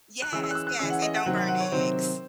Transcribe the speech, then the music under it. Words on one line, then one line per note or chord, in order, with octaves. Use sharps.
Yes, yes, and don't burn the eggs.
F#6
E3 G#3 C#4 E6
E6
F#6
E6
F#6
E3 G#3 C#4 E6
F#5
D#5
F#5
C3 D#3 F#3 C4 F#5
F#5
F#5
C#5
C3 D#3 F#3 C4 C5